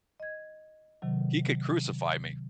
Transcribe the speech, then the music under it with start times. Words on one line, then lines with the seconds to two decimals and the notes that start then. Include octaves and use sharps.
he could crucify me.
0.20 D#5 G#6
1.02 C3 D#3 F#3